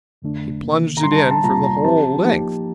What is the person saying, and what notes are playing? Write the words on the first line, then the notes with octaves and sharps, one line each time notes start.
He plunged it in for the whole length.
F2 D3 A3 D4
C3 D#3 A#3
A#5
D3 G3 D4 C6
A5
A#5
A5
F2 C3 G3 A#3 F4 A#5
A#5
F3 C4 G4 C5 A5
F3 A#3 D#4 G4